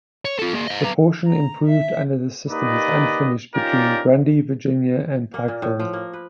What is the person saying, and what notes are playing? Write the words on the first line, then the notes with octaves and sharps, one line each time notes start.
The portion improved under this system is unfinished between Grundy, Virginia, and Pikeville.
C#5
F4 A4
A#3 G#4
C5 D#5
B3 A#5
A#5
E5
A#3 D#4 G4 B4 D5 D#5
C#4 D#4 F4 G4 A#4 D5
A#3
A#2
A2
F3
A#3
B4